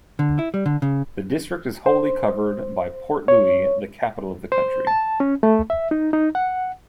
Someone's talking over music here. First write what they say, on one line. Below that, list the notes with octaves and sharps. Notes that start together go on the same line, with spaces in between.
The district is wholly covered by Port Louis, the capital of the country.
D3
E4
G3
D3
C#3
C5
C#5
C5
A5
C#4
A3
E5
D#4
D#4
F#5